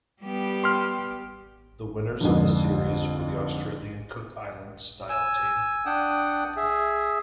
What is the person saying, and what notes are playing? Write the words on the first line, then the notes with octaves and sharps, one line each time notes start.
The winners of the series were the Australian Cook Islands Style team.
G3 B3 G4
C6 F6
F2 G#2 D3
G#5 E6
D4 F#5 G5 D#6
G#4 E5